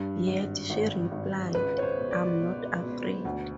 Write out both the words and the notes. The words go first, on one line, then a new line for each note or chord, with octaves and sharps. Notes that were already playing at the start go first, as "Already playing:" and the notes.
Yet, she replied 'I'm not afraid.
Already playing: G2
G#1
G#1
G#1
C#2 B4
C#5
C5
B2
D5
B2
B2
D2